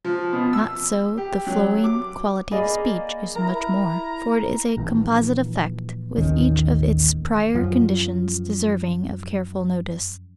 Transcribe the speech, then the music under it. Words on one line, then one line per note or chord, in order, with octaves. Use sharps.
Not so--the flowing quality of speech is much more, for it is a composite effect, with each of its prior conditions deserving of careful notice.
F3
B2
E6
G4
F#3
D6
A#3 G#4 D5 D#5 B5
E4 A#4 A#5
A#1 E3
A1 D#2 D#3 C#4
F#2 F3